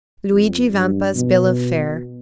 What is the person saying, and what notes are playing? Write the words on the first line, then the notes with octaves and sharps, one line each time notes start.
Luigi Vampa's Bill of Fare.
F2
G2
B2